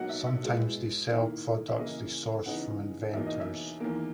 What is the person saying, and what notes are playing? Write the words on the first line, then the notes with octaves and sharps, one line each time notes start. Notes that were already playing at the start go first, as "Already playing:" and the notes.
Sometimes, they sell products they source from inventors.
Already playing: B2 F#3 A#3 D#4 F#5
E5
E5
B2 G#3 B3 E4
D#3 A#3 E4
E5
C#3 E3 A#3 E4 D#5
C#3 E3 B3 D#4 F#5
E2 B2 A#3 D#4 E5
D#5
E5
E2 D#3 A#3